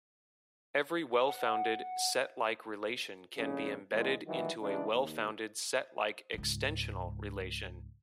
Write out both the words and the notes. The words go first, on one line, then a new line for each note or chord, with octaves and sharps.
Every well-founded set-like relation can be embedded into a well-founded set-like extensional relation.
F#5
F2 A#2 C#3 C#4
E2 A#2 G#3
D#3 E3 F#3 G3 E4
C#3 E3 G#3 D4
D#2
C#2 G#2